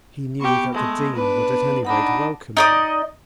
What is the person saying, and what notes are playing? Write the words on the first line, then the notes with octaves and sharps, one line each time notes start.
He knew that the Dean would at any rate welcome him.
B3 G4 C#6
G#3 A3
D4 B4
D4 D#4 F#5 B5
D#4 D5 D#5